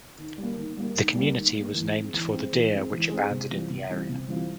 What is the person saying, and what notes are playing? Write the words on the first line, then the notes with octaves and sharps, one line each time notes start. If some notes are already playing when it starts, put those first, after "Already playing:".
The community was named for the deer which abounded in the area.
D#3
G3 A#3
D#3
G3 A#3
D#3
G3 A#3
D#3
G3 A#3
E3
G#3 C4
E3
G#3 C4
E3
G#3 C4
E3
G#3 C4
C3
E3 G3 C4 F4
C3
E3 G3 C4 F4
C3
E3 G3 C4 F4